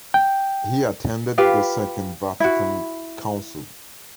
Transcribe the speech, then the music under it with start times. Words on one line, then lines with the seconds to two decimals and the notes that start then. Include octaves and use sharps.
He attended the Second Vatican Council.
0.14 G5
1.38 F4 G4 B4 F5
2.40 E4 F#4